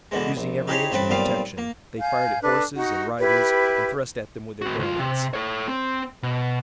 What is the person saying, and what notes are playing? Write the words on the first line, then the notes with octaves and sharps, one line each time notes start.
Using every inch of protection, they fired at horses and riders and thrust at them with their bayonets.
B2 D3 E3 G#3
A#1
D#4 E4 G4 G#4 C5 C#5
A1 G2 C4 B4 A5
B1 A#2 G3 C4 F5
A#3
F5 G#5 G6
D4 A4 B4 F#6
D#4 F#4 F#5 C#6
E4 G4 B4
C4 F#4
D2 F4
C3
A4 C#5
C4
B2